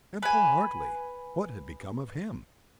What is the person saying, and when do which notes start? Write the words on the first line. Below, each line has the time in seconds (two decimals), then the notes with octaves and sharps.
And poor Hartly--what had become of him?
0.22 B4 G#5